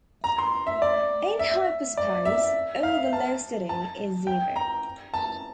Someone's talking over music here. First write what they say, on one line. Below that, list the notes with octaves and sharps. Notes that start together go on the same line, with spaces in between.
In Hyperspace, all velocity is zero.
A#5
C6
E5
D5
E5
D5
E5
F5
A5
A5
G5
A#5
A5